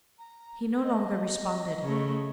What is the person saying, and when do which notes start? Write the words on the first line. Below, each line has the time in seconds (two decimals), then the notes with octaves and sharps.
He no longer responded.
0.18 A#5
0.83 D#5
1.82 C#3 A3